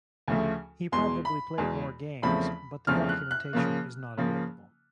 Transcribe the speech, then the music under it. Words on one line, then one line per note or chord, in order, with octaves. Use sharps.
He probably played more games but the documentation is not available.
D2 C#3 F3 A3
E2 B2 G#3 C6
B5
E2 B2 G#3
E2 C#3 F3 A3 C4 B5
E2 C#3 F3 A3 C4 F6
F#6
F#6
C#3 F3 A#3
C#3 F3 A#3